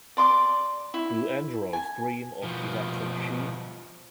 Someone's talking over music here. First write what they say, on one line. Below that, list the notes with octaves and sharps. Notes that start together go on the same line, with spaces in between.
Do Androids Dream of Electric Sheep?
D5 C6 D6
E4
G#5
B2 F3